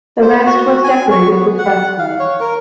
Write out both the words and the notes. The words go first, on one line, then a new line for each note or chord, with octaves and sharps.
The rest was decorated with frescos.
C5
F#4
G#5
C#6
B3
F#5
F5
C#5
A#4